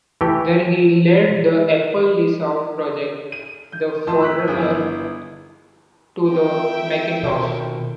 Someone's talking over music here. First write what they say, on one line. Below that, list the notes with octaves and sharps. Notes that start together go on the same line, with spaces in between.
There he led the Apple Lisa project, the forerunner to the Macintosh.
E3 A3 G4 G5
D#7
G6
F2 A2 A5 C6
E6 F#6 B6
G1 D4 E4 G#4 B4
C4 F4 A4 E5 G5
B2 D#3